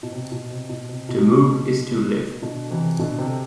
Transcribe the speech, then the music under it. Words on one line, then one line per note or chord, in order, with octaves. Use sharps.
To move is to live.
B2
C3
B2
C3
B2
C3
B2 D3
B2 D3
C3 E3
B2 D3
C3